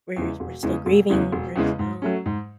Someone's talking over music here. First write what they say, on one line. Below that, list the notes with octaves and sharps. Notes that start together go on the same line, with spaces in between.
we're s we're still grieving, we're still,
E2 C#3 E3 G#3
E1
E2 C#3 E3 G#3
E1
E2 C#3 E3 G#3
E1
E2 C#3 E3 G#3
G#2
F#3 A3 C#4
G#2